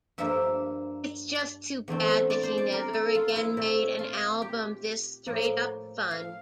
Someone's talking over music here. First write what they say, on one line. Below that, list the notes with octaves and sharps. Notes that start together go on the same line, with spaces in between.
It's just too bad that he never again made an album this straight-up fun.
G2 F3 A#3 E5
E2 D3 A3 C4
D5
C5
D5
A#4
A4
F4
E4
A#2 A3 C4 E4
F4
G4
A2 F3 A#3
F5